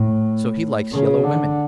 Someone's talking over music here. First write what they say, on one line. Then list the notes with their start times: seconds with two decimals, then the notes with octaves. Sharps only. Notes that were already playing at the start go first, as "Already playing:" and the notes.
'So he likes yellow women!
Already playing: A2
0.92 C#3
1.24 D3